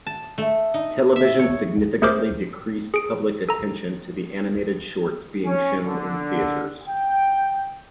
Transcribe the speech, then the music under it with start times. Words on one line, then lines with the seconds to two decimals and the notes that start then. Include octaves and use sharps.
Television significantly decreased public attention to the animated shorts being shown in theaters.
0.07 A5
0.38 A3
0.74 D#4
1.16 E5
1.39 C#5
2.02 A3 G#4 A#4 C5 D6 G6
2.94 G#4 D7
3.49 A4 A#5
5.46 C#4
5.85 D3
6.83 G5